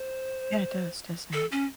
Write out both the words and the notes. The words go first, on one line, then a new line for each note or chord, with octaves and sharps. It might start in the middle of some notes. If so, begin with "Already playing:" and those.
Yeah, it does, doesn't it?
Already playing: C5
A4
C#4